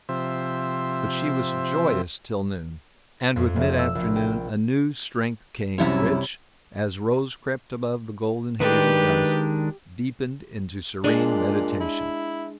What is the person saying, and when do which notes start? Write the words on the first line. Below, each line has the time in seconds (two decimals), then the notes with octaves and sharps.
But she was joyous till noon; and with mid-afternoon a new strength came which, as rose crept above the golden haze of dust, deepened into serene meditation.
0.09 C3 F3 C5 E5
3.36 F2
3.56 F1
3.79 E6
3.95 A#1
4.16 G5
5.78 C2 F#2 C3 E4 C#5
8.60 D#3 G#3 D4 G4 B4
11.04 A#2 G#3 D4
11.80 E4